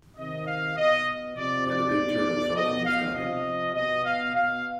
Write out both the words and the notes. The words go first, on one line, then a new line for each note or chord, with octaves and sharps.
And a big turtle fell from the sky.
C3 D#3 D#5
F5
B2 D#5
C3 F3 D5
D5
B2
B2 D#5
F5
C3 F3 D#5
B2 D#5
F5
B2 F5